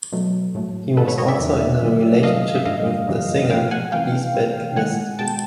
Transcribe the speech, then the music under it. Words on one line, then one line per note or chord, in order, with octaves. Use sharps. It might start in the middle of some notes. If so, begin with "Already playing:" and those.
He was also in a relationship with the singer, Liesbeth List.
B2 F#3 A3
A2 F#3 A3
G#2 D#3 G#3 A4 B4
B4 C#5
C#5 D#5
D5 E5
E2 C3 D#3
G2 D#3 F#3
G2 D#3 F#3 A3 D#5 F5
E5
G2 D3 G3 D#5 F5
F#2 C#3 E3 G3
G#2 F3 A3 F5 G5
F#5 G#5
C3 E3 A3 F5 G5
C3 E3 G#3
C3 D#3 G#3 F#5 G#5
B2 G#3 G5 A5